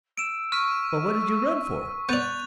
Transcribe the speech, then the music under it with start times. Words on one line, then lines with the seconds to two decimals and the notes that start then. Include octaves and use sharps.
"Well what did you run for?"
0.17 E6 D7 E7
0.52 C#6 F6 B6 D#7
2.09 B3 D5 F#6 G6 A6 F7